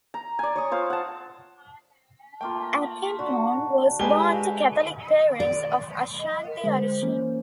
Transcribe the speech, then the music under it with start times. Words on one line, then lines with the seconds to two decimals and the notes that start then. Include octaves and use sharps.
Acheampong was born to Catholic parents of Ashanti origin.
0.14 A#5
0.39 D5 G#5
0.56 C#5 C#6 D#6
0.71 F4 C5 F5
0.90 F#5 A5
2.41 A3 A#3 F4 G5
3.19 D3 F#4 A5
3.99 G#3 G4 B4 E5 G#5 G7
5.40 D5
6.18 D#5
6.46 A#4
6.64 D3 G#3 C5
7.02 E3 A#3 C#4